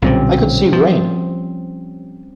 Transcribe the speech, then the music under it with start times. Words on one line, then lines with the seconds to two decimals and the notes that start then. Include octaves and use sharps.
I could see rain.
0.02 B1 A#2 D3 G3 C4 C#4
0.73 F3